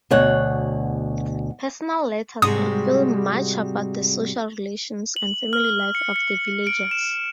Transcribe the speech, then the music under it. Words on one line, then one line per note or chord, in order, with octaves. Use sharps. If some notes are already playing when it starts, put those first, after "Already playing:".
Personal letters reveal much about the social relations and family life of the villagers.
D2 B2 C#5 F#5
G#2 C3 G3 G#3 F#4 G#4 D#6
F#7
F6
C#7
C#7
D7
E7